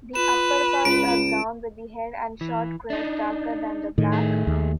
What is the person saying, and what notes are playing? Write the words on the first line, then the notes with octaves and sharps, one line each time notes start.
The upperparts are brown, with the head and short crest darker than the back.
F4 B4 E7
C#2 D7
E3
D4 D#4
A2 D#3
A3 G#4
D#2